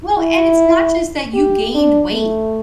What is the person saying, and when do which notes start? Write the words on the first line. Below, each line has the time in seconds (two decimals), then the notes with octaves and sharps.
Well, and it's not just that you gained weight.
0.18 E4
1.34 G4
1.74 D4
2.13 A3